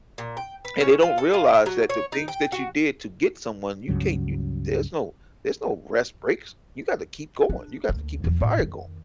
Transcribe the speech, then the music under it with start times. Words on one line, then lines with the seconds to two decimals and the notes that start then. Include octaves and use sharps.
And they don't realize that the things that you did to get someone, you can't you there's no there's no rest breaks. You gotta keep going, you got to keep the fire going.
0.18 A#2
0.37 G5
0.65 B4
0.80 C#4
1.02 F4
1.18 A4
1.34 F4
1.66 F#3
1.90 C#5
2.12 D#4
2.28 G5
2.52 F#4
3.88 C#2 G2 C#3 F#3
7.49 D4
7.89 D2 A#3
8.24 E2 F3
8.41 A2
8.59 F2 D#3